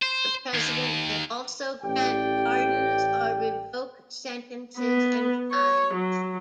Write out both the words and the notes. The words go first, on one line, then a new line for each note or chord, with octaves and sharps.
The president may also grant pardons or revoke sentences and fines.
C5
D#2
A1 G4 D5 G5
B3
C#5
F#3